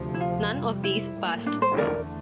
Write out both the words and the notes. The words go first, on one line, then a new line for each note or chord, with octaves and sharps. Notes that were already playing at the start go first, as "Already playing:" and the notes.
None of these passed.
Already playing: D2 C3 F3
E4
F4
F2 C3 G3
E4
A2 G3 A#3
D4
C5
E2 D3 A3 A#4 D5